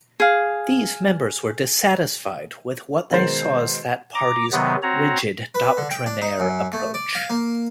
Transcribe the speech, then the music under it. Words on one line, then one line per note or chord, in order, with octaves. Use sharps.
These members were dissatisfied with what they saw as that party's rigid, doctrinaire approach.
G#4 F5
B2 D#3 G#3 A#4 C5 A6
A#5 D6
C3 D#3 F#3 B3
C4 F#4 C#5 A#5
B4
D3
G5
D4
D#4
F#2
A3
D5
F5
A#3